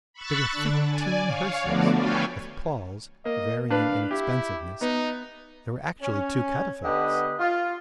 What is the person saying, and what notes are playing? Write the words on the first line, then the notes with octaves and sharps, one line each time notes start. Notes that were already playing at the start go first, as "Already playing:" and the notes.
There were fifteen hearses, with palls varying in expensiveness; there were actually two catafalques.
B5 C#6 E6 F#6 A6
D3 D4
D5 G#5
C#5 F5
D3 F3 A3 B3 F#4 D5
A4 B4 C#5 F5 G5 G#5
A#3 D#5
D4 B4 F5
E4 G4
B3 D#4
C#4
D3 B3 G4 B4 D#5
F4